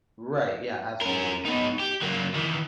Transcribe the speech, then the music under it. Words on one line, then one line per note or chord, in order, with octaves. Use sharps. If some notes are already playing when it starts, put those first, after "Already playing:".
Right, yeah, absolutely, mhm. Mhm.
C#4 A#4
B2 D#4
G4
F#3 A#3
D#3 E3